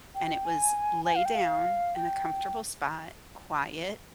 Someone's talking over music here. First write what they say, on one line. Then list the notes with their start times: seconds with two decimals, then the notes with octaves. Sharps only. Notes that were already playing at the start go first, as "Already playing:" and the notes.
and it was: "Lay down in a comfortable spot, quiet.
0.15 G5
0.45 G#5
1.05 G#5
1.16 F5
1.25 G5
1.35 F5
1.95 G5